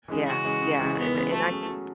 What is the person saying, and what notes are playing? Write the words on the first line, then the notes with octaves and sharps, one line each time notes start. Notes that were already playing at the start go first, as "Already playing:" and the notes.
Yeah, yeah, and and I can
E3 G#3 C#4 G#4
C#3 F#4
E3 G#3 C#4 G#4
C#3
E3 G#3 C#4 G#4
C#3 B3
E3 G#3 C#4 G#4
F#3 A3
C#4 G#4
F#3